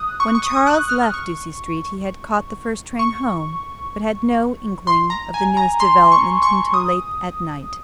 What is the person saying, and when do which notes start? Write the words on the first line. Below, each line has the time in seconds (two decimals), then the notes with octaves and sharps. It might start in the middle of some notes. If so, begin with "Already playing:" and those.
When Charles left Ducie Street he had caught the first train home, but had no inkling of the newest development until late at night.
Already playing: D#6 F#6
0.20 C#6
0.35 C#6
0.43 D#6
0.67 F#6
0.89 F6
1.14 C#6
2.99 C#6
4.87 C6
5.10 A#5
5.34 G#5
5.57 A#5
5.80 C6
6.12 C#6
6.43 C#6
6.74 D#6